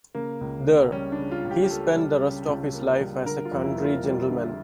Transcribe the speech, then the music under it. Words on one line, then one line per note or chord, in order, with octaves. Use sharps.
There, he spent the rest of his life as a country gentleman.
C#3 A#3
C#2
A#3
G3 C#4
D4
C#3
F4
C#2
G4
G4
A#3 A4
G3
C#3
C#2
A#3
G3
D3 A#4
F4
F2
E4
A#3
F4
G3
D3